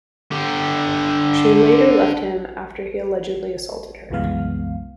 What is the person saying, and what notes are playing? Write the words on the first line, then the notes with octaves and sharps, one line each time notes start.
She later left him after he allegedly assaulted her.
D3 G4
C2 F#2 E3 G#3 B3 F5